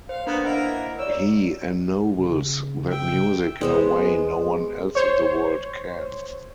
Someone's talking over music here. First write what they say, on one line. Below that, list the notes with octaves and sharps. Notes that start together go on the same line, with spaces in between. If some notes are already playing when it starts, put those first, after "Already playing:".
He ennobles that music in a way no one else in the world can.
C5 F5
A#3 B3 D4 C5
A#3 E4 A#4 D#5 F#5
C#5 D5 E6
C#3
E5 G5
G#3 B3 C5
C5 C#5